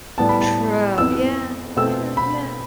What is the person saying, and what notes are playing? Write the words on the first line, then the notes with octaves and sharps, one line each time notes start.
True. Yeah. Yeah, yeah.
A2 G3 B3 A5
B5
A5
F2 E3 B3 E6
B2 A3 C4 E6
B5